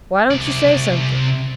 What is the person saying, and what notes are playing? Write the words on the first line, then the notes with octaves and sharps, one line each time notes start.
"Why don't you say something?"
C3 D5